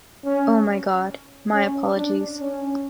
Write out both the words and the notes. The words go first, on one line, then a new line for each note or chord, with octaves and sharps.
Oh my God, my apologies.
C#4
C#4
D4
C#4